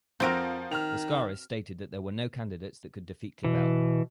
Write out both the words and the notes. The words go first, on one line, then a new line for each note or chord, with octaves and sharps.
Laskaris stated that there were no candidates that could defeat Clavelle.
F2 F3 C4 F#4 A#4 D7
D#3 F6 F7
B2 E3